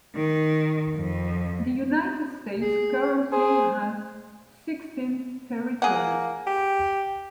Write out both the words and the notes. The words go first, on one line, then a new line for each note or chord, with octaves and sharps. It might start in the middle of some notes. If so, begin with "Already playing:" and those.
The United States currently has sixteen territories.
D#3
F2
G#4
G#4 C5
A#3 G#4 F#5
G4